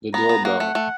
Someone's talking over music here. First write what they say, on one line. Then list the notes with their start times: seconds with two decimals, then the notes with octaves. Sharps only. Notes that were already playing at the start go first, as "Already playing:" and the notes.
The door bell.
0.14 B3 A#5
0.29 B3
0.45 A#3 F#5
0.60 A3
0.75 A3